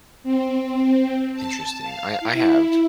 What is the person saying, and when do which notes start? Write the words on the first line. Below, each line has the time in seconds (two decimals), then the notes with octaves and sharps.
Interesting, I I have
0.23 C4
1.34 A5
1.83 F5
2.20 E4